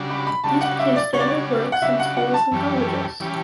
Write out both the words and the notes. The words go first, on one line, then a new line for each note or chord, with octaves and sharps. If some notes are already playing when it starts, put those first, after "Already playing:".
These became standard works in schools and colleges.
Already playing: C#3 G3 D4 F#4
B5
B5
C#3 G3 D4 F#4 A5
F#5
E5
D5
C#3 G3 D4 F#4 C#5
D5
C#5
F#5
C#3 G3 D4 F#4 E5
F#5
F#5
A5
F#2 E3 G3 C#4 G4
E3 G3 C#4 G4